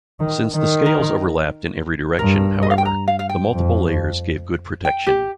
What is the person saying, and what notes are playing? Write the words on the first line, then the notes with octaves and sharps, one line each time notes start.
Since the scales overlapped in every direction, however, the multiple layers gave good protection.
D#3
D#3
A#4
G2 A#4
D#5
F5
G5
A#5
F5
F5
G5
F2
G5
G4